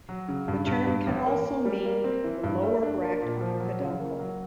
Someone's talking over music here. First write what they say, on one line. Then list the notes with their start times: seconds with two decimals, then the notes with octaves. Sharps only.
The term can also mean the lower bract on a peduncle.
0.09 F#3
0.28 C#3
0.48 G2
0.67 G2
0.87 G2
1.07 A1
1.26 A#3
1.46 A#3
1.65 G3
1.85 A#3
2.04 C4
2.24 E3
2.44 G2
2.63 A3
2.83 D4
3.02 A#3
3.22 A#2
3.41 F3
3.60 F#3
3.80 C#3
4.00 A#3
4.19 F#3